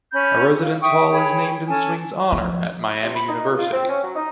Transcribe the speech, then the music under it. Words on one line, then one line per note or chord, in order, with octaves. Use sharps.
A residence hall is named in Swing's honor at Miami University.
C#4 B5 G6
F5
E5 G5 C#6 D#6
G#4 C#5 G5 B5
C#4 A4 G#5 A5
F3
C3
B5
D#4
C#2
F4
C4
C#4
F#3
D#4